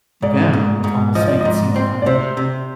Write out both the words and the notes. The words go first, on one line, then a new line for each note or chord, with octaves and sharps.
them," and, like, almost make it seem like I'm
G#2 D5
G#2
G#2
F3 D#5
D5
G#2 D#5
C4
D5
C3 C5
C3